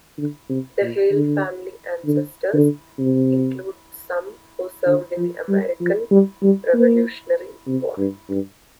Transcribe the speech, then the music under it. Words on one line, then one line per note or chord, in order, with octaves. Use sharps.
The Haile family ancestors include some who served in the American Revolutionary War.
D3
C3
A#2
D3
D3
D3
C3
D3
F3
G3
F3
G3
G3
A#3
C3
G2
G2